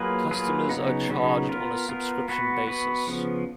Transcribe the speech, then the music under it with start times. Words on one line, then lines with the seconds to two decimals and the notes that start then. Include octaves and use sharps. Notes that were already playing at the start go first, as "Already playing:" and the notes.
Customers are charged on a subscription basis.
Already playing: F#3 A#3 F4 G#4 B4
0.31 F#3 A#3 F4 G#4 B4
0.69 C#3 F#3 B3 D#4
1.10 C#3 F#3 B3 D#4
1.49 B3 F4 A#4
1.89 B3 F4 A#4
2.28 B3 F#4 B4
2.67 B3 F#4 B4
3.07 C#3 F3 B3